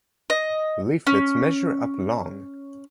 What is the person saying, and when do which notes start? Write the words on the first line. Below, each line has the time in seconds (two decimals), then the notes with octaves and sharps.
Leaflets measure up long.
0.30 D#5
1.07 C#4